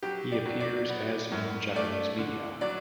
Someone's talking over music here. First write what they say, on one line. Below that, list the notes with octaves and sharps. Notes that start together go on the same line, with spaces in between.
He appears as in Japanese media.
F#3 G4
D5
F#3
D5
B3
F#2
A3 D5
D3
F#3 D5